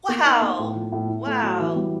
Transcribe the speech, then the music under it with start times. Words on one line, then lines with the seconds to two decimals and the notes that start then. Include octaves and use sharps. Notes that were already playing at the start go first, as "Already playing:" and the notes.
Wow! Wow!
0.08 A#3
0.25 D#4
0.41 A#3
0.59 A2
0.75 F3
0.92 A2
1.09 E4
1.26 A3
1.42 F#3
1.59 E3
1.76 G3